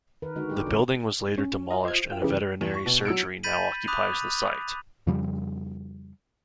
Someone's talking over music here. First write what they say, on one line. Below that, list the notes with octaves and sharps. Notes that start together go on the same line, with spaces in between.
The building was later demolished and a veterinary surgery now occupies the site.
D#3 A#4 B4
D3 G#3 D#4 F#4
G3 G4
C#3 F3 G3
C#4
F4 D#5
C5 G#6
F4 G5
C#3 E3 G4
E2
C#6
B2
F#3 E6 C#7 D7
B5 G6 A6 B6 D#7 F#7
B5 D6 D#6 F#6 F7
F2 C#3 F3 G3